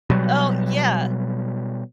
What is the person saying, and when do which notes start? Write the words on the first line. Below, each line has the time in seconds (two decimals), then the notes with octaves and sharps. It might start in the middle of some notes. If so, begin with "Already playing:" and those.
Oh, yeah.
0.10 B2 F#3 G3